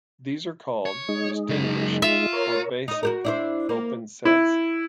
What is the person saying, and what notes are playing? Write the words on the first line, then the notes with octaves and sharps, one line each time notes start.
These are called "distinguished" or "basic" open sets.
C#5
G#3 D#4
C#3 F#3
F4 E5
A#4 C#5
D#4 D#5
F#4 G4 A#4
D4 E4 C5
A#3
E4